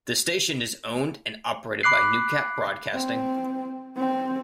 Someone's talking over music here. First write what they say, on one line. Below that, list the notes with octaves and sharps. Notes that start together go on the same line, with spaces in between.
The station is owned and operated by Newcap Broadcasting.
B5 D6 F#6 C7
C4
C4